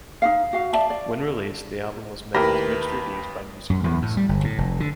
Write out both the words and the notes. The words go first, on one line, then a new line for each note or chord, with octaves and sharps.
When released, the album was met with mixed reviews by music critics.
D#4 F#4 F5
F#4 F5
D5 E5 A5
D5
D#2 A3 E4 G4 A#4 B4 B5 A#6
F#2
E2
A2
G3
G1
A2
F1
D3